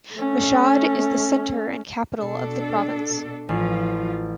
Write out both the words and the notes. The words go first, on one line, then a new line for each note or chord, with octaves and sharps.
Mashhad is the center and capital of the province.
A3 C#4
B2 D4 A4
A1 F3 F4 C7